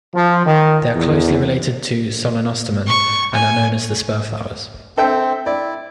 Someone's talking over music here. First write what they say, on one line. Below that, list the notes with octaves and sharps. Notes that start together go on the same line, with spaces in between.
They are closely related to "Solenostemon" and are known as the spurflowers.
F3
D#3
E2
C#6
G#5
C4 A4 E5 G5
E4 D5